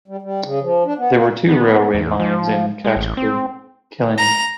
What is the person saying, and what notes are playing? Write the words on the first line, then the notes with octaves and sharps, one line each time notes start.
There were two railway lines in Kastro-Kyllini.
G3
G3
C#3
F3
D4
B3
A#3
B3
E2
F3
G#3
A1
C4
A#5